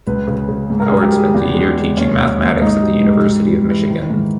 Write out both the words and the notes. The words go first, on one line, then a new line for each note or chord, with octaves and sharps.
Howard spent a year teaching mathematics at the University of Michigan.
C#2 B4
C#3
C#3
G#2
A#4
G#4
G#2
G4
G3
G#4
E2 G4
G#3
G#3
D#2 C#4
D#2
D#2
G#2 D#4
G3
G#2
G3
G3
E3
D#3
G#2